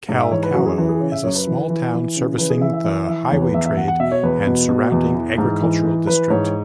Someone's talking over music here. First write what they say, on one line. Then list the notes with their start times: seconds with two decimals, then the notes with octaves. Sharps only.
Kalkallo is a small town servicing the highway trade and surrounding agricultural district.
0.09 G#2
0.19 E5
0.31 E3 C#5
0.43 B4
0.54 F#2 F#4
0.66 G#4
0.78 E3 B4
0.89 G#4
1.00 C#3 C#5
1.12 E5
1.24 F#2 C#5
1.36 B4
1.47 E3
1.70 E3
1.93 E3
2.16 C#3
2.39 E3 B4
2.50 G#4
2.61 E3 E5
2.73 E5
2.84 E3 E5
3.07 E3 E5
3.31 E2 C#5
3.42 B4
3.54 E2 E5
3.65 E5
3.77 E2 F#5
3.88 F#5
4.00 B2 E5
4.12 C#5
4.23 E2 B4
4.46 B2
4.68 B2
4.92 E2
5.15 E3
5.38 G#2
5.61 E3
5.85 E3
6.07 E3 B4
6.30 G#2 C#5